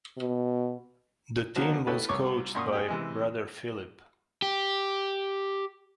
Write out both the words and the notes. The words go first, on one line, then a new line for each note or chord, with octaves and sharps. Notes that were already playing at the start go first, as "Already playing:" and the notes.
The team was coached by Brother Philip.
B2
F3 F#3 A#3 B3 A#4
E4 G4 A4 B4 C#5
C2 C#5 C#6 D6
F#2 A#2 C6 C#6 D#6
G4 G#4
C3 E3 G#3
G4